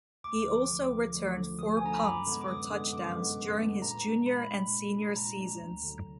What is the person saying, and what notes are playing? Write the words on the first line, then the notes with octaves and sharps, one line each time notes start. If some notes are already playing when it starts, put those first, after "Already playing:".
He also returned four punts for touchdowns during his junior and senior seasons.
D2 D6
D3 F3
D2
D3 F3
D2
D3 F3
D2 D#6
G#5
D3 F3 A#5
B5
F#2 D6
D3 G#3 B3
D6
F#2 D#6
D3 G#3 B3
F#2 D6
D3 G#3 B3
F#2
D3 G#3 B3
A#2 A#5
G#3 D4
A#2 B5
G#3 D4
A#2
G#3 D4
A#2 A#5
G#3 D4
D2
D3 F#3